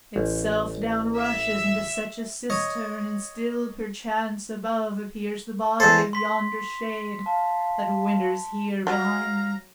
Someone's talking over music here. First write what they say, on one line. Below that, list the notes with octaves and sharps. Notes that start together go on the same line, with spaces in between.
Itself down rushes into such a cistern; And still perchance above appears the body Of yonder shade, that winters here behind me.
A1
E5
C#5 D#5
E2 A4 C5
C6 B6
F5 A5
F#3 F5 A#5